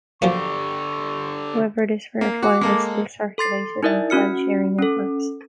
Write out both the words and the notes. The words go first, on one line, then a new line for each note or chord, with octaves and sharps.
However, this rare file is still circulated on file sharing networks.
D3 F3 F#3 A#3 G4 C#6
A#3
F#4 D6
G#3 A#3 A4
A4 C6 A6 C7
D#4 E4 A#4 D5 E5
C#4 F#4 F6 C#7
C#4 A4